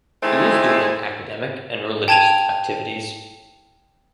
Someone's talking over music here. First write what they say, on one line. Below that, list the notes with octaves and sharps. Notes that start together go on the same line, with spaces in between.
He is doing academic and religious activities.
E3 G#3 A3 C4 D#4 E4
G5 A5 G#6 D#7 F7